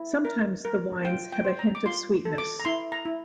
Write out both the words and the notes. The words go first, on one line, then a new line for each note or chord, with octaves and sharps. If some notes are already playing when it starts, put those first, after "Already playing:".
Sometimes the wines have a hint of sweetness.
Already playing: E4
A#4
A#4
F4 G5
G5
C5
A#5
D6
F4 C6
A4
D6
A#5
E4 C6
A#5
E4